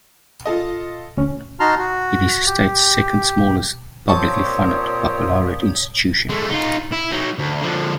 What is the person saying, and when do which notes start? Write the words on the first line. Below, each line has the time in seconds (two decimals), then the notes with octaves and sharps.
It is the state's second-smallest publicly funded baccalaureate institution.
0.46 F4 A4 D#5
1.17 D2 C#4
1.60 D#4 F#4 A5 A#5 C6 F6
1.78 F#4
2.46 G4
4.09 A#2 C4 G4 C#5 A5 C#6 D#6
6.29 G#3 A3
6.50 D#4 F4
6.92 E4
7.11 F#3 D#4
7.39 D2
7.62 D3 F3